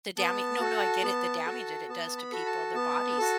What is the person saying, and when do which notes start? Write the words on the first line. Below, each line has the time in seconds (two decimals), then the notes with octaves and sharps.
The dama no, no, I get it, the damage that it does to people, their bodies.
0.18 B3 A5
0.60 F#4 A4
1.03 B3
1.46 F#4 A4
1.89 B3 A5
2.17 B5
2.32 F#4 A4
2.46 A5
2.75 B3 A5
3.18 F#4 A4